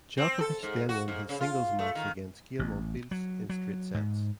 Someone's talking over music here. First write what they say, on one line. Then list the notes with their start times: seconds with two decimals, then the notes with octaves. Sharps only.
Djokovic then won his singles match against Gael Monfils in straight sets.
0.17 C4
0.41 A4
0.63 G#2
0.89 F#4
1.08 G#2
1.29 C#3
1.41 F4
1.79 A3
1.95 D#3
2.59 A1
3.11 F#3
3.50 F#3
3.94 G#2